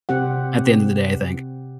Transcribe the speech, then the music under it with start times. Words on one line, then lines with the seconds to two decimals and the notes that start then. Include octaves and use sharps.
at the end of the day, I think.
0.09 C3 C4 G4 F#5